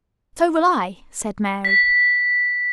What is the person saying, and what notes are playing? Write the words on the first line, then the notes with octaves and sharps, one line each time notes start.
"So will I," said Mary.
B6